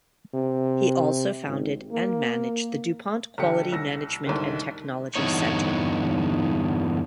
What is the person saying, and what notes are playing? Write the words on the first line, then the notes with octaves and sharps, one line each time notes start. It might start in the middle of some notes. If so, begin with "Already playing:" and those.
He also founded and managed the DuPont Quality Management and Technology Center.
C3
G#1
A#3
B1 D3 G4 C#7
C2 E6 A#6
C2 G#2 D3 D#3
E2 G2 B2 D3 D#4 C#5